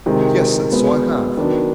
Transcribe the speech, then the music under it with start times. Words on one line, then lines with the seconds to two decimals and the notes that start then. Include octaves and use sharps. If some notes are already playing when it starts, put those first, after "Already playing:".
Yes, and so I have.
0.06 C3 D#3 G#3 C4 D#4
0.72 B2 G#3 B3
1.37 D#3 F#3 B3 D4